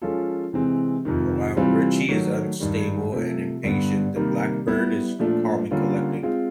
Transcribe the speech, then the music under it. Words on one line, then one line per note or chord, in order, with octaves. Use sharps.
While Richie is unstable and impatient, the Blackbird is calm and collected.
F3 G#3 C#4 F4 A4
C3 E3 G#3 C4
F2 C3 D#3
C3 E3 G3 C4 F4
D#3 F#3 A3
G2 D#3 G3
C3 F3 A3
G2 D3 G3 B3
C3 D#3 G3 A#3
G3 B3 E4
A#2 F3 A3 D4
D3 G3 A#3 C#4 F4
G#3 C4 F4 G#4